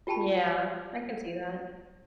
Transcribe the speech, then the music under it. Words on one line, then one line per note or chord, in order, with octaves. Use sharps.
Yeah. I can see that.
F4 G4 G5 A5 B5